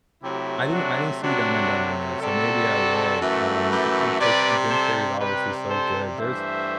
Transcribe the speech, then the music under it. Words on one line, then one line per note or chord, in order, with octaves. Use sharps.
I didn I didn't see Dumb and Dumber yet, so maybe I will, um, cha because Jim Carrey's obviously so good. There's
C3 F#3 A3 E4 G4
D4 F#4
C3 F#3 A3 D4 F#4
C3 G3 F#4 A4
F#2 E3 A3
G4 B4
C3 G3 B4 D5
A4 C5
C3 G3 G4 B4
A4 C5
G2 E3 A3 C5 E5